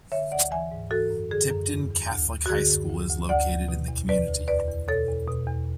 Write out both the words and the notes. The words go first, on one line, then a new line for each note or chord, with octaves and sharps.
Tipton Catholic High School is located in the community.
D3 C#5 E5
D2 D5 F#5
E3 E5 G#5
G#2
E3 F#4 A4
F#2
D3 G#4
F#2
E2
E2
D2
D2
F#4
D3 G#4
F#2
D2
D2
D2 D5 F#5
D2
B2
E2
D3 B4 D5
D2
E2 B4 D5
E2
B2 A4 C#5
E2
B2
E2